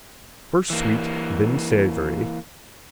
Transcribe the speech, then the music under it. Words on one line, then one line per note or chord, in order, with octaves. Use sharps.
First sweet then savoury.
E3 A#3